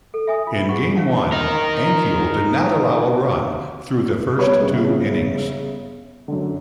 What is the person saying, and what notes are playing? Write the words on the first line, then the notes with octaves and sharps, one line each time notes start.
In game one, Ankiel did not allow a run through the first two innings.
A4
E5 G#5 D#6
F4
G#4 F#5 C#6
C#5 F5 F#5 A5
D#4 A#4
G3 B3 B4 C#5
G1 C#3 B3
F#2 D3